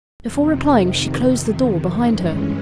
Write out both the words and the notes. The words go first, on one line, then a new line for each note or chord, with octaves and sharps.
Before replying she closed the door behind her.
F2 C3 D#3
G2 E3 G#3 C#4